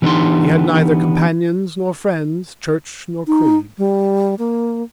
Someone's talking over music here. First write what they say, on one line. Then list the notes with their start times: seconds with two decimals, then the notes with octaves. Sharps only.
He had neither companions nor friends, church nor creed.
0.02 E3 B3 D4 D#4 G4 C6
3.27 D#4
3.78 G3
4.39 A#3